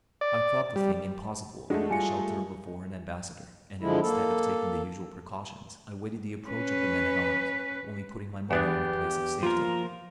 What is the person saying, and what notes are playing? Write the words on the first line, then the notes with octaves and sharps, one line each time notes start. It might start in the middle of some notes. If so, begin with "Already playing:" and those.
I thought the thing impossible under the shelter of a foreign ambassador, and instead of taking the usual precautions, I waited the approach of the men-at-arms, only putting my money in a place of safety.
D5
G3
G#3 A3 D4 F#4
G3 F4 G#5 C#7
D3 F3 G#3 E4
A#3 A4
C#4 B4
E2 B3 D4 G4
F3 A#3 F4 A#4